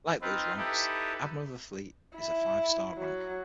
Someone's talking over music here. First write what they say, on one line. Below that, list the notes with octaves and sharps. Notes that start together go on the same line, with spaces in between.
Like those ranks, admiral of the fleet is a five-star rank.
C4 D#4 F4 B4
D#4 E4 G4 A4 B4
E4
F#3